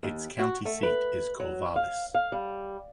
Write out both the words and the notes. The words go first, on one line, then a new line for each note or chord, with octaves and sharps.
Its county seat is Corvallis.
D#2
F#4
A3
B4
F#3
F5
F5
G3